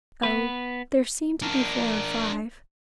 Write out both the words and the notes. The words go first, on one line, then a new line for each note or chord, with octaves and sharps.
Oh--there seem to be four or five.
B3 B4
D4 A#4